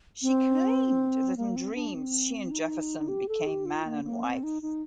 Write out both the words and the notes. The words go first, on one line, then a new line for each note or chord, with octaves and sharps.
She claimed that in dreams, she and Jefferson became man and wife.
C4
A#3
C4
D4
C4
D#4
G4
A4
G4
F4
A#3
A#3
C4
D#4
D#4